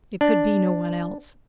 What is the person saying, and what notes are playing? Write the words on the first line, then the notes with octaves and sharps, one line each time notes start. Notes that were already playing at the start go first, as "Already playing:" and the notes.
It could be no one else.
D4